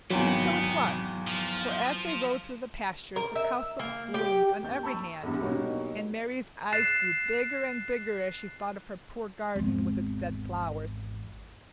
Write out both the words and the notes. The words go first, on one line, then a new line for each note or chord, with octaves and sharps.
And so it was, for as they rode through the pastures the cowslips bloomed on every hand, and Mary's eyes grew bigger and bigger as she thought of her poor garden with its dead flowers.
G#1 E2 B2 F#3 B3 G5
F3
A#4
E5
A#3
G4
D#2 G6
A5 B5 C#6 E6
A#1 E2 G2 E3
G2 B2 F#3 A#3 D#4 F#4
F#6 A6 C7 E7
G#1 E2